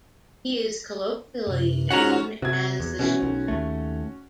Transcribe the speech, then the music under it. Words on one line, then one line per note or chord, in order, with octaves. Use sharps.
He is colloquially known as The Schmoozer.
F#2 C3
G#2 C#4 F4 F#4 F#5 A#5
C3 F#4 G#6
E2
B2 E3 C#4 F#4
B1
D#2 A3